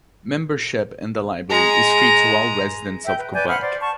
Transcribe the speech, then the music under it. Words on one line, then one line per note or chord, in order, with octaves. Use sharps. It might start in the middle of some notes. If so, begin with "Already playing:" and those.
Membership in the library is free to all residents of Quebec.
G#3 A#5
E5 G5
B4
B4 D5 G#5 G6
C5 F#5 B5 F6
C5 D5
A5 C#6